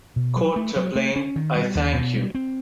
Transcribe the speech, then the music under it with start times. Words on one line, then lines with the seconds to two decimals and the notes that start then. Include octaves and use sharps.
Court-chaplain, I thank you.
0.16 B2
0.36 F#3
0.56 A3
0.76 F#3
0.96 A3
1.16 C#4
1.36 D#3
1.56 G3
1.75 D#2
1.94 B2
2.14 G3
2.35 C4